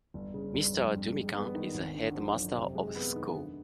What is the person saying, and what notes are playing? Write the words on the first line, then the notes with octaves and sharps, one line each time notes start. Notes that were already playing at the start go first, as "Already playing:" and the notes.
Mr Dumican is the headmaster of the school.
G1
C#3
G1
F2
G2
G#3
B3
D#3
G#1
D3
F3
F#2
C3
G#3
B3
D#3
D3